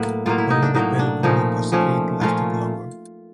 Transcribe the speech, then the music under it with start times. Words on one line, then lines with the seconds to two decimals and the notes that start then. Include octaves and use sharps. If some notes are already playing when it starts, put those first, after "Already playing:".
Only the Bellevue and Cascade lasted longer.
Already playing: A2 F#3 A#3 B4
0.26 A2 F#3 A#3 F4
0.38 E4
0.50 D#4
0.63 D4
0.74 A2 F#3 A#3 D#4
0.99 D4
1.23 A#2 F3 A3 C#4 D#4
1.72 A#2 F3 A3 C#4
2.21 A#2 F3 A3 C#4 F4